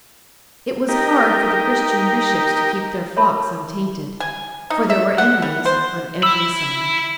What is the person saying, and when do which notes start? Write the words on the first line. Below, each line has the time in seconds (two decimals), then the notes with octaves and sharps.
It was hard for the Christian bishops to keep their flocks untainted, for there were enemies on every side.
0.89 D#4 G4 A#4
3.17 A#4 C#5 E5 A5 B5
4.20 G#5
4.70 D#4
4.90 E5
5.18 F#5
5.42 G3
5.65 C5
6.23 E5 B5 E6